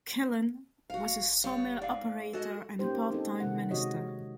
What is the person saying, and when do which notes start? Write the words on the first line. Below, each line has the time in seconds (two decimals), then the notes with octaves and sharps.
Killen was a sawmill operator and a part-time minister.
0.90 F#1 F#4 F5
1.44 G3 C#5 F5
1.82 G#2 D5 F5
2.33 F#4 G#4 A4 D#5
2.79 A#3 C#4 D#4 G4 C5
3.10 C4 D#4 A4
3.40 C3 D#3 F#5
3.71 C3 G#3 F#4 C#5 D#5